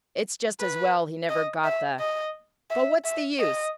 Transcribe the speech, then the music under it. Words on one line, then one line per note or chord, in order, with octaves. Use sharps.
It's just as well he never got the--But what's the use?
B4
D#5
E5
D#5
E5
E5
D#5